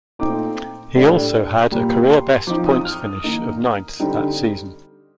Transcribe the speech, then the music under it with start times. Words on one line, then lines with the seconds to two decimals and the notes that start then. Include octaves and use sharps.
He also had a career-best points finish of ninth that season.
0.19 A#2 A3 C4 D#4 D6
0.96 A2 G3 D4
1.72 A#2 G3 A#3
2.10 C6
2.47 F3 C4 D#4 D6
2.66 D#6
2.81 D#6
2.85 F6
3.05 D#6
3.24 D#3 A#3 D#4
4.00 D3 G3 C4 D#4